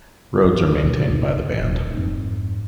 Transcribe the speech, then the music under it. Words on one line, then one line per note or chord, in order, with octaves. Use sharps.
Roads are maintained by the band.
D#3
B2
G2 D#4
D#3
D#1 E4
F2 G#2